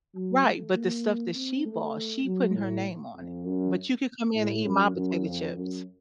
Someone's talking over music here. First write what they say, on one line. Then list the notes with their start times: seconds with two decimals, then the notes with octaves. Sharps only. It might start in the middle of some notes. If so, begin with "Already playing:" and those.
Right, but the stuff that she bought, she putting her name on it. But you could come in and eat my potato chips.
0.15 F#3
0.45 A3
0.75 A#3
1.35 C4
1.65 A3
2.25 F#3
2.55 A2
3.15 F2
3.46 F#2
4.35 A2
4.65 F#2
4.95 F#2
5.25 F2
5.56 F#2